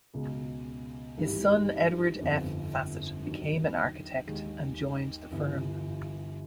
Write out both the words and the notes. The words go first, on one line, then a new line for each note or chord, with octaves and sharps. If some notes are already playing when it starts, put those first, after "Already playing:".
His son, Edward F. Fassett, became an architect and joined the firm.
C#2 B2 G#3
G#1 G2 E3 G3
G1 F2 D3
D#2 D3 F#3
D#2 D#3 G#3
G1 G2 E3